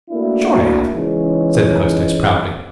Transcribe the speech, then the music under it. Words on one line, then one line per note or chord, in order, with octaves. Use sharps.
"Sure I have," said the hostess proudly.
A3 A#3 D4 E4 F#4
C#3 E3 G#3 C#4 D#4